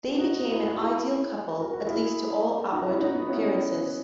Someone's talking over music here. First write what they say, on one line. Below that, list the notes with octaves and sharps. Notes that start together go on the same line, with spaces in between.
They become an ideal couple, at least to all outward appearances.
D#4 F#4
E4
F#4
E4 G#4
F#4 A#4
F#4 A#4
E4 G#4
D#4 F#4
C#4 E4
D#4 F#4
B3 D#4
C#4 E4